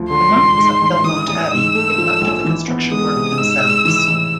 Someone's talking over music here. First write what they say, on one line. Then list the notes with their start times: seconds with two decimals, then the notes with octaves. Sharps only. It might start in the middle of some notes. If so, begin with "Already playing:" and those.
The monks of Belmont Abbey did much of the construction work themselves.
Already playing: D2 F3
0.10 D3 C6
0.33 E1
0.58 G#2
0.81 A1
1.04 E3 D#6
1.27 A1
1.51 G#2 E6
1.75 A3
1.98 F3
2.21 A#1
2.45 E3
2.68 B3
2.91 G#3 D#6
3.15 C3
3.38 G#2 E6
3.62 G#3
3.85 E3
4.08 A1